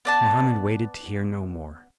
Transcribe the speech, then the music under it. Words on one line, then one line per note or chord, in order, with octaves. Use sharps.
Mohammed waited to hear no more.
B3 D5 A5